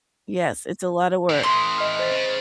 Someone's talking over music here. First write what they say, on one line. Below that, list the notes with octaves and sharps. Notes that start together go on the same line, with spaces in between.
Yes, it's a lot of work.
A2 E3
C6 D#6
D#5 F6
C5 A6
C#3